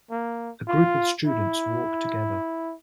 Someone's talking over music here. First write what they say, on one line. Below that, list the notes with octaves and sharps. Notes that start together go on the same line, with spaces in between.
A group of students walk together.
A#3
F4
E4